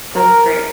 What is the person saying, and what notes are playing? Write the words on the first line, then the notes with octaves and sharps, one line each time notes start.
That's great.
A#4